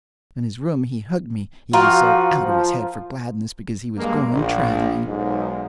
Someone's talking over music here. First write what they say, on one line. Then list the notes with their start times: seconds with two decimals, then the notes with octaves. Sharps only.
Up in his room he hugged me, he was so out of his head for gladness because he was going traveling.
1.73 F3 F4 F#4 A#4 G5
2.44 F3
3.98 G2 G#3 A#3
4.31 A#1
5.07 B1 G#2